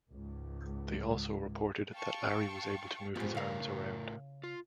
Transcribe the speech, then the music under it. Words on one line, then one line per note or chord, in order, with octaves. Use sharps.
They also reported that Larry was able to move his arms around.
C#2 G#2
F5 G5 A5 C#6
F2 G#2 B3 F4 G4
A2 C#3 A#4 F5
F4